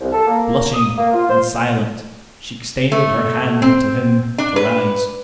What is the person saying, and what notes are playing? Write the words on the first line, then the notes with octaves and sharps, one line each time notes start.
Blushing and silent, she extended her hand to him to rise.
C2
A4
A#3
D#6
A#3
F4
C5
A3
C4
D4
B4